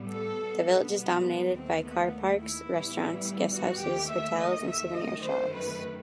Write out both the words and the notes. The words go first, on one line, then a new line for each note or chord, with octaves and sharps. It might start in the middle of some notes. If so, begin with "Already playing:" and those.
The village is dominated by car parks, restaurants, guesthouses, hotels and souvenir shops.
Already playing: A2 G3 B3
A4
B2 G3 B3
B3
B3
D#2 D#3 A3 C4
B3
E4
A2 E3 G3 B3
F#4
D#2 D#3 A3 G4
E5
D#5
E5
F#2 D#3 A3 D#5
C5
B4